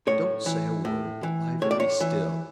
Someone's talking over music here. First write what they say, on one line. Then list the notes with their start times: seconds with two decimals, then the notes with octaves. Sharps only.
"Don't say a word, but lie very still."
0.07 A2 C#5
0.46 E3
0.85 A2
1.23 E3
1.62 A2 C#5
1.71 D5
1.80 C#5
2.00 E3